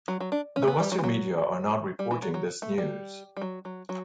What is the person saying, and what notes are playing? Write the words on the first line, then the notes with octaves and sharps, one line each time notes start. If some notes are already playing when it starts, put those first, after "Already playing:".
The Western media are not reporting this news.
F#3
F#3
D4
C#4
A3
B3
G3
F#3
E3
F#3
G3
E3
F#3
F#3
A3
G3
G3
F#3
F#3
F#3